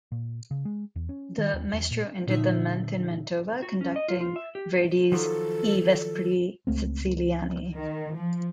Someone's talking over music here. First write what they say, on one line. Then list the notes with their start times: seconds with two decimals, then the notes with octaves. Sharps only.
The Maestro ended the month in Mantova conducting Verdi's "I vespri Siciliani".
0.12 A#2
0.51 C#3
0.65 G#3
0.96 E2
1.09 C#4
1.38 D#3
1.54 D#2
1.73 E2
1.91 A#2
2.27 A#2 D3 F3 D#4 E5
3.62 F#4
3.81 C#4
3.96 D#5
4.08 F4
4.21 F4
4.36 E5
4.55 G4
5.12 D#3 F3 F#3 A4
6.67 C#2 A3 C4
7.75 D#3
8.16 F3